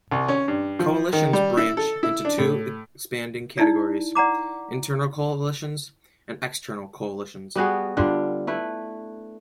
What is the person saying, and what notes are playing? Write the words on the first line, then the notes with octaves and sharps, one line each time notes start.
Coalitions branch into two expanding categories: internal coalitions and external coalitions.
C2
C#4
G2
F3
D#3
G3
E4
A4
E4
D4
A2
D#4 E4 D5
D5 F#5 A#5 D6
G3 B3 F#4 G#4
D3 G3 D4 F4
A3 E4 B4